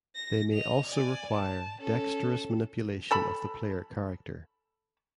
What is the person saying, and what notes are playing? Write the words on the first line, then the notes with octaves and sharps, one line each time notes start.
They may also require dexterous manipulation of the player character.
A#6
D#5 F7
D5 G#5
A5
C#4 A4
A4 A5 B5